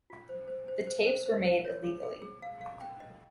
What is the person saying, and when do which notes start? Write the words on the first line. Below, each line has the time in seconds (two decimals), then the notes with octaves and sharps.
The tapes were made illegally.
0.10 F4
0.29 C5
0.48 C5
0.68 C5
0.87 C5
1.07 C5
1.26 C5
1.44 C5
1.65 C#5
1.84 G#4
2.03 G#4
2.22 G#4
2.42 F5
2.61 F5
2.81 G5
3.00 D#5